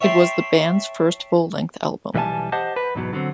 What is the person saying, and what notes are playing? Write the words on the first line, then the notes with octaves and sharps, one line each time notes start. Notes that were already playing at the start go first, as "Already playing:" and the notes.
It was the band's first full-length album.
C#5 E5 G5 A5 B5 C6
B1 E3 G3 E5 G#5 A5
G4 C5 D#5 F#5 A5
B4
E2 G#2 B2 F#3
D3 F#3 C4